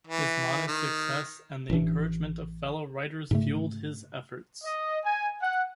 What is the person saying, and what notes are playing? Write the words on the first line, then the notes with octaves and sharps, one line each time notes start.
His modest success and the encouragement of fellow writers fueled his efforts.
E3
D#3
A1 A2 E3 D4
G#2 C#3 A3
D#5
G#5
F#5